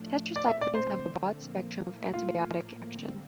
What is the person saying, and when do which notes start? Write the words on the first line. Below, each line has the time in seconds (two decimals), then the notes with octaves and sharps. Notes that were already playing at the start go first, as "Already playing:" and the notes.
Tetracyclines have a broad spectrum of antibiotic action.
Already playing: A2 F3 A3 D4
0.36 A#2 A3 C4 D5
0.48 E5
0.61 D5
0.75 C5
0.87 D3 A3 C4
1.37 A#2 F3 A#3
1.89 A#2 A3 E4
2.14 F4
2.40 A2 F3 A#3
2.91 F2 D3 G3 C4